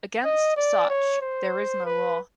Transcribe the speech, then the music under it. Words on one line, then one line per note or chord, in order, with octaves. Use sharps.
Against such there is no law.
D#5
D5
C#5
C5
B4